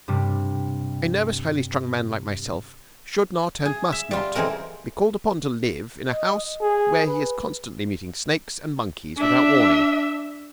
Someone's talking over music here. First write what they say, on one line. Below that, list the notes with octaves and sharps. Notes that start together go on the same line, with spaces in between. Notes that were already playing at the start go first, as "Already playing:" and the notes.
A nervous, highly-strung man like myself should not, and must not, be called upon to live in a house where he is constantly meeting snakes and monkeys without warning.
G2 C3 G3
G#4
E5
G3 F4 C6
F2 E3 G#3 C4 A#4 A#5
D#5
G#4
B4
D4 E5